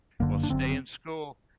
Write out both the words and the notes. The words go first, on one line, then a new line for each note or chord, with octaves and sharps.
Well, stay in school.
F#1 F#2 D3 A#3
D4
F#1 F#2 D3 C4